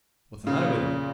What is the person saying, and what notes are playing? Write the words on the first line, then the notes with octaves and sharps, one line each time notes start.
"What's the matter with him?"
A#2 C#3